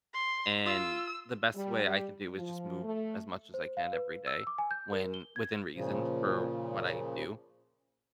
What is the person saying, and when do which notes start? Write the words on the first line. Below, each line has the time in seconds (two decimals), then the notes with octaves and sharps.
and the best way I can do is just move as much as I can every day when within reason for what I do.
0.14 C6
0.66 F4 E6
1.55 G3
2.37 F3
2.83 A3
3.54 C5
3.77 F5
3.93 B4
4.27 E6
4.47 D6
4.58 G#5
4.71 G6
4.92 A#4
5.14 G7
5.36 G#6
5.75 A#2 C#3 F3